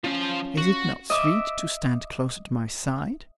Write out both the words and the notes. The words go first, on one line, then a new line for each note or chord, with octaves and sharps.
Is it not sweet to stand close at my side?
F3 C#4 F4 C6
F#4
D#5 E5 D6 E6